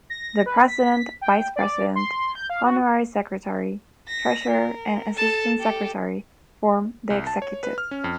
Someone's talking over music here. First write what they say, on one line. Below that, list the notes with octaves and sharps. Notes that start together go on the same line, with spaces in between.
The President, Vice-President, Honorary Secretary, Treasurer and Assistant Secretary form the Executive.
A#6
B4
B6
G5
D5
C6
G6
F5
F#4
A#6 B6
A#4
A4 A5
G4 A4
C2
A5
C#5
B4
F6
C#4
F2